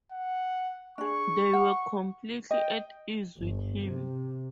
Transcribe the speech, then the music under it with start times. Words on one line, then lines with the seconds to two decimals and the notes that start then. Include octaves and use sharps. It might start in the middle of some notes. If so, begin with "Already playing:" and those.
They were completely at ease with him.
0.12 F#5
0.98 D4 G#4 C#6
1.53 F#5
2.51 D#5 G5
3.39 G1
3.83 C3